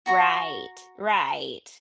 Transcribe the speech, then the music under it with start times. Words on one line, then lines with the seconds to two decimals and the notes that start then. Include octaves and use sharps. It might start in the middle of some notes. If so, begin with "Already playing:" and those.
Right, right.
0.06 F#4 A#5 C#6